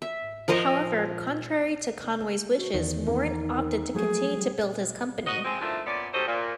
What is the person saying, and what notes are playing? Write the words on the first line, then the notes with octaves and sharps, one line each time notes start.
However, contrary to Conway's wishes, Morin opted to continue to build his company.
E5
F3 A#4 C5 D#5
F#4
E2 D#3 D5
A#3 D#4
F3 F#3 A3 G#4
G3
F#4 D#5
F3 G#3 C4
D#3 F3 A3 D4 E4
A#2 B3 C#4 D5
D#2 F#3 G3 A4 C5 D#5
A#2